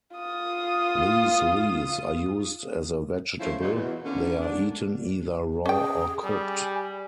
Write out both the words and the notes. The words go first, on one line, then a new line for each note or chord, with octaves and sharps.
These leaves are used as a vegetable; they are eaten either raw or cooked.
F4 D#6
F3 G#3 A3 C#4 E4
A#2 C#3 F#3 D#4
E2 B2 E3
D3 D#3 A#3 B3 C#4
D4
C#4 G#4 G5
G3 G#5